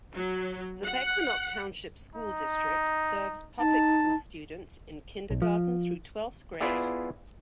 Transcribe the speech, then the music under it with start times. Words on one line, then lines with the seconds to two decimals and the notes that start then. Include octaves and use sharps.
The Pequannock Township School District serves public school students in kindergarten through twelfth grade.
0.14 F#3
0.84 F#5
2.15 D#4
3.60 D#4 A5
5.30 B1
5.42 F3
6.60 B3 E4 F4 G#4 D5 E5